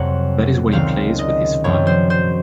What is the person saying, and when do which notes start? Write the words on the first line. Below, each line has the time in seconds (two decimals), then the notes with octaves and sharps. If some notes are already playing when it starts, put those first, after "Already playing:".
That is what he plays with his father.
Already playing: F2 C3 F#3 F#5
0.72 C#2 C3 D#3 G#3 C4 F5
1.19 D#5
1.64 F#2 F3 G#3 C4 C#5
1.87 C5
2.10 C5